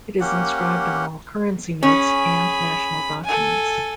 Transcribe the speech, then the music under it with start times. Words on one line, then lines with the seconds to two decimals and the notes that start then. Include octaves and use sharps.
It is inscribed on all currency notes and national documents.
0.21 A#3 C#4 G4 F#5
1.83 C#4 G#4 B5
3.24 A4 G#5